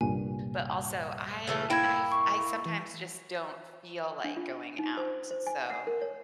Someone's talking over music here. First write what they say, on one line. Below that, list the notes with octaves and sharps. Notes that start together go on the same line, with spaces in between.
But also, I I f I sometimes just don't feel like going out, so.
C2 G2 A#2 G#5
C#3 E3 A3
A#3 E4 G5 G#6
C#6
E3
D4
F4
D#4
C5
C5
G#5
F#5
A#4
C#5